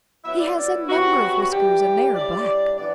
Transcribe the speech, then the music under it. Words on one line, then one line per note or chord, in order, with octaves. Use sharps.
He has a number of whiskers and they are black.
F#3 B3 E4 E5
D5
D5
C3 F#3 B3 F#4
E3 G3 D4 G4
A2 G3 D4 D5
A2 E3 B3 D4 D5